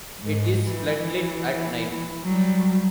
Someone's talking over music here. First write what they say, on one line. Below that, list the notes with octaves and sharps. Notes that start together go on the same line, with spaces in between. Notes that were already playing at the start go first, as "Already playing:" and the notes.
It is floodlit at night.
G#2
E3
F#3 G3